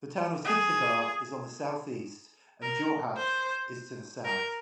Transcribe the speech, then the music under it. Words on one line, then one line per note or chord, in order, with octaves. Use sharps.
The town of Sibsagar is on the southeast and Jorhat is to the south.
G#4
A#4
C5
A#4